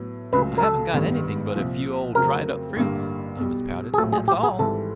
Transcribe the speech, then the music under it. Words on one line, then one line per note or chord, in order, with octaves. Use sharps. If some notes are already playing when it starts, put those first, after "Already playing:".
"I haven't got anything but a few old dried-up fruits," Amos pouted. "That's all."
Already playing: A2 F#3 B3
C#2 C#3 F#3 A3 B4
A#4
A4
A1 G2 D#3 G3 B3
C2 A#2 F3
F2 C#3 F#3 A3 C4 A#4
A1 G2 D3 G3 A#3
B1 B2 G3
G#4
A#1 A2 F#3 A3 A4
G#4
G4
G#4
G#1 G#2 E3 G3 A4